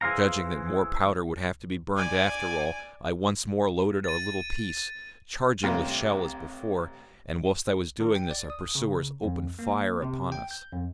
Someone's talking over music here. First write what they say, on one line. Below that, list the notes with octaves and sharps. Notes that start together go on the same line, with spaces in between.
Judging that more powder would have to be burned after all, I once more loaded our little piece, charging with shell as before; and whilst I was doing this our pursuers opened fire upon us.
E3 G#4 C5 F5 A#5
D5 G#5
A6 D#7
A1 G2 C3 F4 A#4
D#3
G5
D5
D#6
C#3
F2
A#3
C3
G5
G6
F2